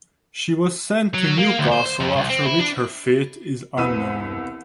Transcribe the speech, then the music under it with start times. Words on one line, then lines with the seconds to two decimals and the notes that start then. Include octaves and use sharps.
She was sent to Newcastle after which her fate is unknown.
1.14 F#3
1.38 A#3
1.59 D2
1.72 C5
1.86 C5
2.00 F2
2.16 C2
2.30 C4
2.45 E4
2.59 D4
3.77 E1 C2 B4 E6 D#7